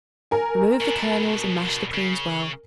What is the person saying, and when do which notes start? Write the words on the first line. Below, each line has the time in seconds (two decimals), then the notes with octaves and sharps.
Remove the kernels and mash the prunes well.
0.31 A#4 G#5
0.80 B2 D4
1.93 C#3